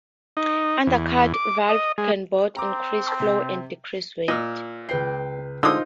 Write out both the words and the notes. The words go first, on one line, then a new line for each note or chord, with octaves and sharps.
Undercut valves can both increase flow and decrease weight.
D#4
E2
D6
D#5
G#3
C4 A#5 D6
C3
A#2 D#5 E6 F6
C#2 B4 G5 C7
D3 G#3 D#4 F4 C5 D#6 E6